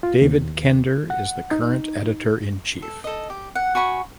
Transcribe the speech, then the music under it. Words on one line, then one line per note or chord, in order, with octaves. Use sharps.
David Kender is the current Editor in Chief.
F4
D#2
F#5
D#4
A4
A4 D#5
G4
F#5
F#4 G#5 B5 C#6